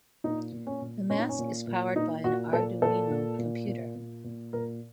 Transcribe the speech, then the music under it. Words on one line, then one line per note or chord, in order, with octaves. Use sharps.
The mask is powered by an Arduino computer.
A#2 D#4
A#2
C#4
A#2
A#2 C#4
D#4
C#4
A#2
A#2
A#2 D#4
A#2 F#4
A#2 A4
A#2 A4
A#2
A#2
A#2
A#2
A#2
A#2 A#4